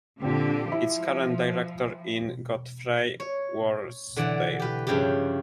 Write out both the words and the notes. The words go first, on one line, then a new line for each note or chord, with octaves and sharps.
Its current Director is Godfrey Worsdale.
A#2 D3 C4 G4
F3 E4
C#5
D3 E3 D5 F#5
G4 B4
G2 C#3 F3 E4 G4